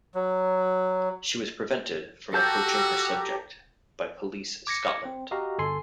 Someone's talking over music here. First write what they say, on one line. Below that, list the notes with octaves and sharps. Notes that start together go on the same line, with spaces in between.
She was prevented from approaching her subject by Police Scotland.
F#3
F#4 G4 A4 A5 A#5 E6 G6
D6 G#6 A#6 C#7
C4
F#4 G4 D#5 F5 A#5
G1 A4 G#5 C6 C7